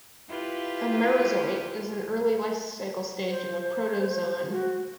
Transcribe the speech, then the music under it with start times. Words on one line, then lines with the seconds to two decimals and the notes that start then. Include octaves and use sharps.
A merozoite is an early lifecycle stage of a protozoan.
0.29 E4 F4 G4 B4
3.28 C5
4.51 F#4